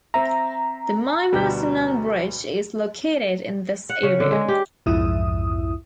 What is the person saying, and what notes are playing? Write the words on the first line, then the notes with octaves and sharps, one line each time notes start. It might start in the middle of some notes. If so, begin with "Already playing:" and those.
The Mimar Sinan Bridge is located in this area.
C4 E5 A#5
D2 B2 G3
F#5
C#3
D3
G#3
G4
B1 F2 G#2 E4 E5 D#6